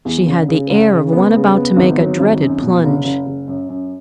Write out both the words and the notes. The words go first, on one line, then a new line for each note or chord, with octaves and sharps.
She had the air of one about to make a dreaded plunge.
E2
F#1
C#3
F#1
C#3
B3
C#3
B3
G#1
F#3
G#1
F#2
B2
F#1
F#1
F#1
F#2
F#2